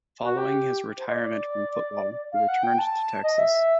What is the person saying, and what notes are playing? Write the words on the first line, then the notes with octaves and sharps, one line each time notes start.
Following his retirement from football, he returned to Texas.
F#4
G4
C5
D#5
D5
F5
F#5
G5
A5
D#5
E5